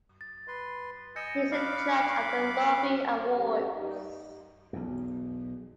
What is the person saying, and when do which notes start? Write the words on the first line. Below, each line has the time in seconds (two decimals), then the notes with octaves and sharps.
He is a judge of the Lovie Awards.
0.21 A6
0.48 B4 C6
1.16 D#5 G#5 E6 G6 A#6 C#7
1.52 F5 B5 D6 F6 F#6
1.78 C#7
3.36 A2 C#4 G4
3.76 G3 D#4
4.73 B1 E2